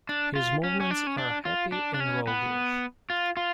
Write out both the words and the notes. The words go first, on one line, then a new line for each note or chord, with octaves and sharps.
His movements are happy and roguish.
D4
F4
C#4
C#4
D4
C#4
D4
F4
D4
D4
C#4
B3
F4
F4